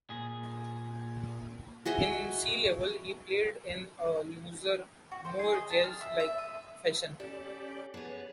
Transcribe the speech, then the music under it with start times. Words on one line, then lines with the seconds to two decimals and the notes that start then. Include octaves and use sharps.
In Sea Level he played in a looser, more jazz-like fashion.
0.10 A#2 G#4
1.85 F#4 G#4 D#5 E5
5.12 F#4
5.25 C5
5.39 G#4
5.54 D#5
5.70 A5
5.84 F6
6.01 E5
6.20 E5
6.38 D#6
7.20 C#4 G4 A4 D5
7.62 C#4
7.94 B3 G#4 B4 C#5 A5